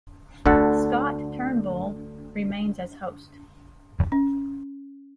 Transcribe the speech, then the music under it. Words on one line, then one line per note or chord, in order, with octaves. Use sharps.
Scott Turnbull remains as host.
D2 D3 A4 F#5
C#4